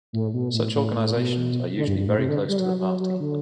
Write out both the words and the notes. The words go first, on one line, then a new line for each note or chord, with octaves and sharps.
Such organisations are usually very close to the party.
A2
B2
A2
A2
A2
B2
D3
G2
G2
A2
C3
D3
G3
F#3
F#3
F#3
D3